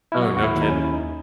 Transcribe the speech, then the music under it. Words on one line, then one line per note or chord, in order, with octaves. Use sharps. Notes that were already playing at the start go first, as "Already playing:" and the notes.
Oh, no kidding.
E4
F#3 F#4
D#2 F#4
E4
D#2
D#4
C#4
D#2
E4
D#2 D#4